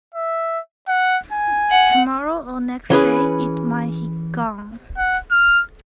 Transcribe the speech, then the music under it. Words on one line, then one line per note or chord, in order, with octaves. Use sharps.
Tomorrow or next day it might he gone.
E5
F#5
G#5
F#5
E3 C#4 G#4 B4
F#5
F6